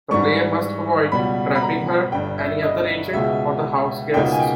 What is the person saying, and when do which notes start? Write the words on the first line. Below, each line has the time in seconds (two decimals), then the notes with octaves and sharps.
The player must avoid trapping her, any other agent, or the house guests.
0.11 G#2 E3 G3 C#6
1.12 C#2 B2 G3 B3 B5
1.55 B5
1.62 A#5
2.12 G1 G2 G3 G5
2.38 E5
2.63 D#5
3.13 C#2 B2 G#3 E5
4.14 C#2 B2 A#3 D#4 G5
4.32 G#5
4.40 G5